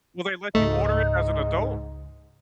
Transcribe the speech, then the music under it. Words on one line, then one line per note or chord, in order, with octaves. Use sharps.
Will they let you order it as an adult?
C#2 G#2 A3 D#4